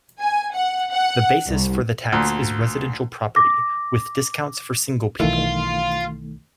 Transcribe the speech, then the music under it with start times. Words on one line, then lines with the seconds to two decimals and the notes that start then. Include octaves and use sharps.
The basis for the tax is residential property, with discounts for single people.
0.20 G#5
0.53 F#5
0.92 F#5
1.47 C2
2.12 D2 A#2
3.36 D6 A#6
5.20 B1 D#3 E3 A3 F4